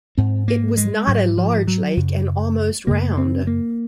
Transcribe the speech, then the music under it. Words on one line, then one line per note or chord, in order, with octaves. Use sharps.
It was not a large lake, and almost round.
G#2 C4
A#3
G#3
G#2 F#3
F3
F#3
F#2 C#3
F#2 C#3 A#3
C4
A#3